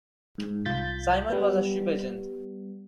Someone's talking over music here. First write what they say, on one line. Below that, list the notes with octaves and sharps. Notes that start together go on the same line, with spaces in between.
Simon was a ship agent.
G#2
C2 F4 G6 A6 B6
G3 B3